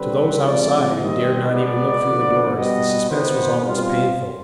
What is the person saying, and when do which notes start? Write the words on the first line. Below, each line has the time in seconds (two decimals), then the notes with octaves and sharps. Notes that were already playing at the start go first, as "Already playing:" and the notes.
To those outside, who dared not even look through the doors, the suspense was almost painful.
Already playing: D3 G3 C4 B4
0.42 C3 F3 G#3 C4 D5
0.97 D#3 G3 C4 D#5
1.50 B2 G#3 B3 D5
2.03 D3 F3 B3
2.56 B2 G3 B3 D#5
3.10 C3 D#3 B3 C5
3.64 B2 G3 C4 F4